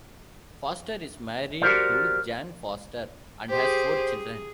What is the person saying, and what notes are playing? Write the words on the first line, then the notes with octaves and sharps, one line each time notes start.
Foster is married to Jan Foster and has four children.
F#4 G4 A#4 C5 D5
G4 G#4 C5
G#4